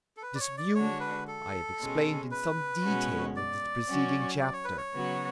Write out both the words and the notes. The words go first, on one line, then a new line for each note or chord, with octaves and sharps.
This view I have explained in some detail in the preceding chapter.
A4
B4
D5
C#5
D5
D3 G#3 D4 F#4 C#5
B4
A4
B2 G#3 C#4
B4
B2 G#3 C#4 F#4
D5
F#3 C#4 F#4
D5
C#5
B4
C#5
C#3 F#3 B3 F#4